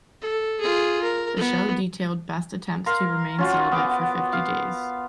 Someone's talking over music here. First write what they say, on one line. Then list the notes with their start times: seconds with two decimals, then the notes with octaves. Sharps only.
The show detailed Best's attempts to remain celibate for fifty days.
0.21 A4
0.61 F4 G#4
1.03 A#4
1.36 B3
2.86 A#4 F5 C6
3.38 C#4 F4 F#4
3.72 B3 D6
4.33 F5